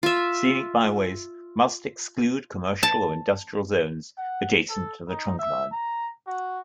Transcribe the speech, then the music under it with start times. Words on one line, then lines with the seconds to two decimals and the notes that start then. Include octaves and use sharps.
Scenic byways must exclude commercial or industrial zones adjacent to the trunkline.
0.03 F4 E5
2.83 A5
4.18 F#5
4.70 A4
5.08 D#4
5.39 E5
5.72 A#5
6.27 F#4